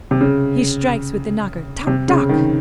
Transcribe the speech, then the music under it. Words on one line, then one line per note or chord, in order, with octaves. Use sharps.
He strikes with the knocker: 'Toc! toc!'
C3
C#3
C3
C#3
D#3